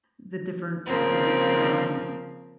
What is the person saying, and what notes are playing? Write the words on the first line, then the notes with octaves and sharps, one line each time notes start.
the different, like, um
C#3 F3 A#3 C4